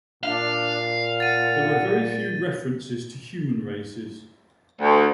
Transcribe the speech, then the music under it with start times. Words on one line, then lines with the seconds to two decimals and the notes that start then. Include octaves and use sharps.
There are very few references to human races.
0.23 A#2 D4 F5
1.20 F#5 A6 D#7
4.81 D2